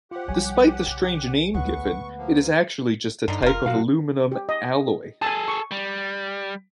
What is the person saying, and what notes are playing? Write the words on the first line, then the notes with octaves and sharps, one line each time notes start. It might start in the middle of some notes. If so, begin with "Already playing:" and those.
Despite the strange name given, it is actually just a type of aluminium alloy.
F4 G4 C5 F#5
B1 F3 G3 C#5 G#5
C#3
D2 G#3 B3 F#5 C#6
F3 A#3
G2 D3 D#4
F1 F4 A#4
F#2 B2 F#4 F5
G4
D#5
G#4 A4 G#5 A5
C#6
G3